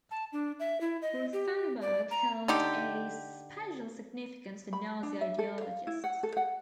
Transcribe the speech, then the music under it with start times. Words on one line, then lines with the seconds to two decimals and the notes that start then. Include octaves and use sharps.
Rothenburg held a special significance for Nazi ideologists.
0.11 A5
0.33 D4
0.60 E5
0.81 E4
1.02 D#5
1.33 G4
1.81 D5
2.11 A#5
2.48 D3 D#4 G4
4.73 B5
5.03 D4
5.21 E5
5.39 A4
5.61 F5
5.87 E4
6.04 F#5
6.23 A4
6.37 F#5